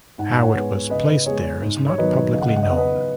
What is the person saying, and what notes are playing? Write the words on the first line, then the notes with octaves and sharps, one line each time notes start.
How it was placed there is not publicly known.
G#2 F#5
G#5
C#5 F#5
G#3 B3
C#3 B4 D#5
G#3 B3 G#4 C#5
G#2
C#5
D#3 F#3 B3 B4 D#5
C#3 D#5
F#5
D#5
F#5
D#5
B3 F#5
B4 D#5